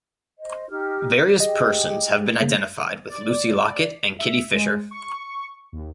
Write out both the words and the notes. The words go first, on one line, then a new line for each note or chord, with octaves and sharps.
Various persons have been identified with Lucy Locket and Kitty Fisher.
C5 D#5
D#4 G4 F6
G4 G#4 D#5
C#3 A#3
D5
E5
G#3
C#6
D#2